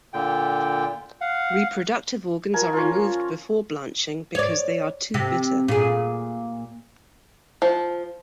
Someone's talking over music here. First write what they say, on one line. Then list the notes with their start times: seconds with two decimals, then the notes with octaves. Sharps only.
Reproductive organs are removed before blanching because they are too bitter.
0.14 A#2 D3 G5
1.21 F5 F#5
2.54 F3 A#4 G#5
2.73 C#4 F4
4.35 C#5 D5
5.14 C3
5.68 A#2 G#4
7.62 F3